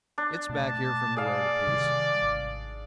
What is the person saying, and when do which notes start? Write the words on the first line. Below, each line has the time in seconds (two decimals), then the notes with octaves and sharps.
It's back here from the road a piece.
0.18 D4
0.49 B2 A3 A5
1.17 G#4 D5 F5
1.67 C3 D#3 G3
2.22 G#1